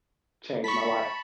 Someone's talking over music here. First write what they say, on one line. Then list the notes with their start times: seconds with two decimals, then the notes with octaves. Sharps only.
Changed my life.
0.64 A5 B5 C#6 B6